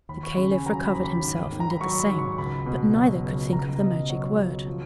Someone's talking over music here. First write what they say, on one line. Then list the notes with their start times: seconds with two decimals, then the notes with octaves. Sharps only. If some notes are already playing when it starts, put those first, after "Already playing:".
The Caliph recovered himself and did the same, but neither could think of the magic word.
0.09 D#2 B5
0.23 C#6
0.37 C#3 B5
0.51 G#5
0.66 F#3 A#5
0.86 B5
0.95 D#2
1.04 B5
1.23 G#2
1.52 D#3
1.60 A#5
1.70 B5
1.81 F#3 C#6
2.00 B5
2.09 G#2
2.19 C#6
2.38 C#2 B5
2.66 B2
2.96 F#3
3.24 C#2
3.52 C#2 A#5
3.81 B2 D#5
4.10 F#3 C#5
4.38 C#2
4.67 F3